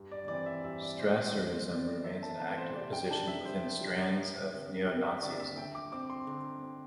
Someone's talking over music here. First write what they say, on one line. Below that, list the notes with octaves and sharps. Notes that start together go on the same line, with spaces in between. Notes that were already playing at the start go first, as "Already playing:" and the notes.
Strasserism remains an active position within strands of neo-Nazism.
Already playing: G2
D5
E3 C4 D5
E5
G2 E5
D5
E3 C4 C5
D5
E2
C5
E3 A3 C4 D5
D5
E2 E5
A5
E3 A3 C4 A5
C5
C3 D5
G5
G3 D4 A5
E5
C3 C5
G3 D4
G2 E5
D3 C4
G2 G5
E5
D3 C4 D5
E5
D3 G5
D6
C4 D6
C6
D3
C4